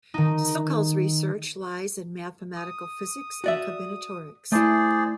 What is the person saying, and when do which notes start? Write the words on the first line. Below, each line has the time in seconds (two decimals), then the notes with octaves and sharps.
Sokal's research lies in mathematical physics and combinatorics.
0.14 D#3 D#4
2.56 D#6
3.44 F#4 D5 E5
4.52 A3 E4 G#4 C5 D5